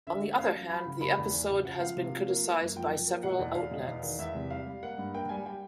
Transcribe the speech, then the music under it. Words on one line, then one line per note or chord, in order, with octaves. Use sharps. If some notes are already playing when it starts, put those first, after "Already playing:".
On the other hand, the episode has been criticized by several outlets.
D3 E5
A3
C#4 F5
F#3
F#3 B5
C#3
A#3 B5
E2
E2
C#3
C#3 F#5
F3 F5
C3
F3
A#3
A#3
F#2
F3 G5
F3
A#3
B2 F#5
E2
E2 F5
B2
E2 F5
D#3
E2 E5
C3
G3 F5
G3
A#3 F#5
G2
A#3 G5
G3 G#5
G3 G5